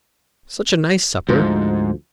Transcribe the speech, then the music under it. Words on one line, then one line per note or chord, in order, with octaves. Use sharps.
Such a nice supper!
D2 G#2 F3